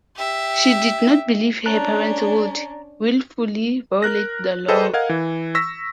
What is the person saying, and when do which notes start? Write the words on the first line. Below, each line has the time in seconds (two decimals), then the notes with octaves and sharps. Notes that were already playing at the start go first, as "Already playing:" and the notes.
She did not believe her parents would willfully violate the law.
0.16 G4 E5
1.66 C#4 D4 A5 A#5 F#6
4.02 A#4 F#6 A#6
4.68 G#4 A4 B4 C5 D#5 G5
4.94 A#4 D#5 F5 F#5 G#6
5.09 E3
5.55 C#6 E6 A#6 B6